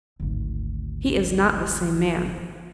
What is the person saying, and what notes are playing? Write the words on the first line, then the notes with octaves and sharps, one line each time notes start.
He is not the same man.
G#1 D2